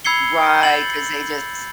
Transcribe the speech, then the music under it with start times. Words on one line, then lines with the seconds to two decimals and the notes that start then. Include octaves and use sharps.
Right, 'cause they just
0.05 B5 E6 G#6 C7 C#7 G7
0.63 G6 A6 F#7